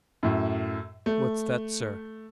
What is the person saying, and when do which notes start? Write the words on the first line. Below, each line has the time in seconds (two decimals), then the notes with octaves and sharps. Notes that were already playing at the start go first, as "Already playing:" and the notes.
"What's that, sir?"
0.23 F#2 A2
1.06 A3